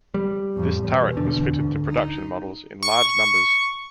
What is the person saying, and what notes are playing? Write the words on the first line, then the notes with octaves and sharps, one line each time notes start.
This turret was fitted to production models in large numbers.
G3
F2 A2
E2 B2
D3
D2 G#2
D#4
C#6